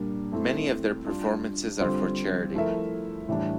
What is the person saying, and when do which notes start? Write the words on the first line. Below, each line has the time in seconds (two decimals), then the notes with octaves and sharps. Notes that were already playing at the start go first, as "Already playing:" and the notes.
Many of their performances are for charity.
Already playing: A#2 G3 A#3 D4
0.32 A3 C4 E4
1.06 G3 D4 F4
1.80 D3 G3 C4 F4 C5
2.54 F3 A3 E4 A#4 E5
3.29 A2 E3 G3 D4